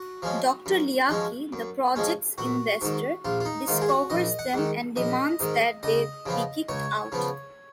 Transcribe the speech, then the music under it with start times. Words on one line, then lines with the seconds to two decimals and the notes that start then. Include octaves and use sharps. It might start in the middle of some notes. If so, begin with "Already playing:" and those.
Doctor Leaky, the project's investor, discovers them and demands that they be kicked out.
Already playing: F#4
0.22 F3 G#3 C#4
0.66 F#2
1.09 F3 G#3 C#4
1.53 F#2
1.96 F3 G#3 C#4
2.38 A#1 F#4
2.81 G#2 D#3
3.25 A#1 F4
3.40 F4
3.45 D#4
3.67 G#2 D#3 F4
3.81 G#4
3.89 F#4
4.10 A#1 D#5
4.39 F#5
4.54 G#2 D#3
4.96 A#1 D#5
5.40 G#2 D#3
5.83 C#2 D#5
6.26 C#3 F3 B3
6.69 C#2 C#5
7.12 C#3 F3 B3